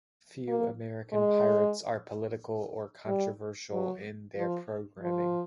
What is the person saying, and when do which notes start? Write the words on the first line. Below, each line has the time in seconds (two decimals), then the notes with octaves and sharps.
Few American pirates are political or controversial in their programming.
0.48 A#3
1.13 G#3
3.07 G3
3.72 F#3
4.38 F3
5.02 F3